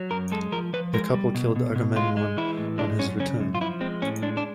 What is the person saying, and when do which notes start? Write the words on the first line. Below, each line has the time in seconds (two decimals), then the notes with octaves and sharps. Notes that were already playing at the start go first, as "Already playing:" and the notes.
The couple killed Agamemnon on his return.
Already playing: F#3
0.11 F#2 A#4
0.32 G#3 A4
0.52 F3 A#4
0.73 F3 B4
0.94 G#3 A#4
1.14 G3
1.35 B2
1.56 B2
1.76 B2
1.96 G#3 F4
2.17 G#3
2.37 E3 E4
2.58 A2
2.78 G#3 D4
2.99 F#2 C#4
3.20 C#3 C#4
3.41 F#2
3.55 F4
3.61 F3 E4
3.81 G#3 C4
4.02 A2 C#4
4.22 G#3 D4
4.37 D4